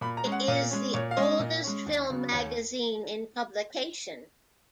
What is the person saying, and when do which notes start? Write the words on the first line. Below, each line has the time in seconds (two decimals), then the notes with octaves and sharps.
It is the oldest film magazine in publication.
0.01 A#2 B5
0.17 A#5
0.25 G#3 C#4
0.32 F#5
0.48 A#2 F5
0.71 G#3 C#4
0.94 A#2 C#5
1.11 F5
1.17 G#3 C#4 D#5
1.40 A#2
1.64 G#3 C#4
1.86 D#2
2.10 C#3 F#3 B3
2.32 D#2 C#5